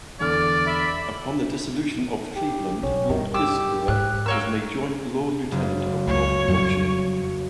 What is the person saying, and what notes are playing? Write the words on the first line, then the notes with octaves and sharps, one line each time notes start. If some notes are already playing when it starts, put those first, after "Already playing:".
Upon the dissolution of Cleveland, Lord Gisborough was made joint lord-lieutenant of North Yorkshire.
E2 D3 D5 F6
E5 B5
G4
B1 C#4
G2 D#3
G4 D6 E6
G#2 F#6
A#3 A#4 C#5 E6
F#1
C#2 C#5
F2 F#3 G3